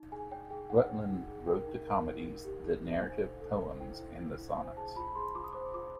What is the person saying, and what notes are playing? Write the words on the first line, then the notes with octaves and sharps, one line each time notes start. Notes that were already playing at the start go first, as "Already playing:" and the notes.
Rutland wrote the comedies, the narrative poems and the sonnets.
Already playing: D#4
G#4 G#5
C#5 G5
G#4 G5
D#4 F#5
C#5
D#4
G#4
A#4 G5
D#4
A#4
D#4
D#4
G4
D#4
D#4
C5 G#5
A4
A4
C5
E4 G5
E4
E4
E4
C5 G#5
G#4 A5
F4 B5
G#4 C6
F4 D6
D#6
C5 D6
F4 D6